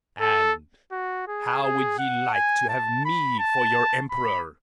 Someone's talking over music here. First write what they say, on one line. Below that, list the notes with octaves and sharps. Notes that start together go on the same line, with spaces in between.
"And--how would ye like to have me for your emperor?"
A4
F#4
G#4
G#4
F#5
G#5
A5
B5
A5
B5